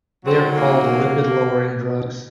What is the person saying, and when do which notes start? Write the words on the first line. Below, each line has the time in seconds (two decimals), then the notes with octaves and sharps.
They are called lipid-lowering drugs.
0.25 G#2 D#3 F#3 C4
0.56 A#3